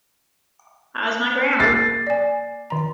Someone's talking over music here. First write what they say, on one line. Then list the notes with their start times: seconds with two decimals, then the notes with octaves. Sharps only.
How is my grammar?
1.60 A#3 G#4 A#4 A6 C7
2.07 D5 G#5
2.70 D#3 A#5